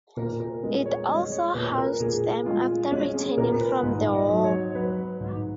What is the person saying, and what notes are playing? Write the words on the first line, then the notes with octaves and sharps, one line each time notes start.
It also housed them after returning from the war.
A#2 A#4
A#4
G#3 B4
C#5
G#3 D#5
C#5
A#2 B4
A#4
A#2 G#4
G#3 F4
G#3 C#4
G#4
A#2 A#4
B4
G#2
D#5
F#3
C#5
F#3 B4
G#2